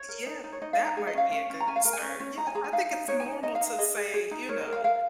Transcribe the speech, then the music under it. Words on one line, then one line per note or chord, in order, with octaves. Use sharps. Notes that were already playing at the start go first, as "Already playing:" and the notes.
yeah, that might be a concern yes, I think it's normal to say, you know,
Already playing: C#5
A#4
D#4
D#4
C#5
D#4 D#5
F5
D#4
A#5
G#4 F5
D#5
C#4 F5
C#4
C#4
A#5
C#4 G#5
F5
A#4 A#5
G#5
C#4
C#4
D#4 A#5
G#5
G#4 A#5
G#5
D#4 F5
D#4
D#4 C#5
G#5
D#4
D#5
D#4 D#5
F5
D#4
F5
G#4 D#5
G#4
G#4
D#4
A#4 C#5
D#5
A#4
F5
A#4 F5